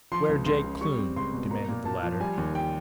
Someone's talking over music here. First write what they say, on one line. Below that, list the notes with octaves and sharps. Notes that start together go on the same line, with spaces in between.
"Where Jake Kloon?" demanded the latter.
F3 C6
C#2
C#2 C6
C#3
G3 C#6
C4
C#2 C6
B2
A#3 A#5
A#2
A#2 A5
F3
G3 G#5
D#2
G5